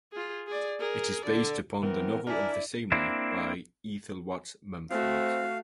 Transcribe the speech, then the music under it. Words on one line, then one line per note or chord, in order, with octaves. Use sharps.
It is based upon the novel of the same name by Ethel Watts Mumford.
F4 G#4
G#4 D5
G#4 A#4
D3 D5
E3 B3 C4 A#4
D4 E4 A#4 D5 G#5
A#3 C4 D4 E4
A3 C4 F#4 F5